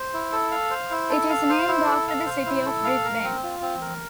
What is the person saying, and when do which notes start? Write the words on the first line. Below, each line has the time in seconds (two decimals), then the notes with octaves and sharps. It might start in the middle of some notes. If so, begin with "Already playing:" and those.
It is named after the city of Brisbane.
Already playing: C5
0.13 E4
0.32 A4
0.51 F5
0.71 C5
0.90 E4
1.09 A4
1.29 F5
1.49 C5
1.68 E4
1.87 A4
2.08 F5
2.26 C5
2.46 E4
2.65 A4
2.84 F5
3.04 A#4
3.24 C4
3.43 F4
3.62 C4
3.82 A#4